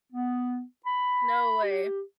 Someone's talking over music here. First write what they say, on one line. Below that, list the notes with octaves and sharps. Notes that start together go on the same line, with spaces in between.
No way.
B3
B5
G4